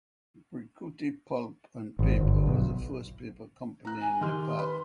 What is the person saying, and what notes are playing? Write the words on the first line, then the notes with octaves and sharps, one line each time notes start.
Bhrikuti Pulp and Paper was the first paper company in Nepal.
G#1
G1
B1
A#5 F#6
G#5
D#3 G4 C6 F6
B4 B5